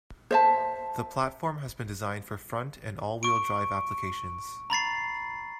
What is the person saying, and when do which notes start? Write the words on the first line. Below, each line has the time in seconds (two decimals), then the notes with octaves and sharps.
The platform has been designed for front and all-wheel drive applications.
0.31 C5 E5 A5
3.23 C#6 D7
4.70 A#5 B5 A6 C7